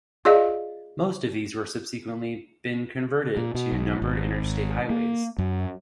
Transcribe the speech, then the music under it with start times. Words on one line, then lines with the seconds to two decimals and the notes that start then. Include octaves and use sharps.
Most of these were subsequently been converted to numbered Interstate highways.
0.25 F4 G#4 D5 D#5 F5
3.37 A#2
3.55 B2
3.72 B1
4.02 G#1
4.90 A#3
5.38 F#2